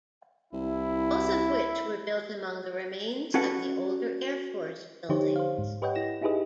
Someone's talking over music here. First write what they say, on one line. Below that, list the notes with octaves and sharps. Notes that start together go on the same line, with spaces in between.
Both of which were built among the remains of the older air force buildings.
C2 E4
C#4 F#4 A4 B4 F#5
D3 F3 D#4 G4 C5 C#5
C5 F5
G#2
G4 B4 C#5 D#5 F#5 G5
E4 A#6 E7
D#4 E4 G4 G#4 B4 D#5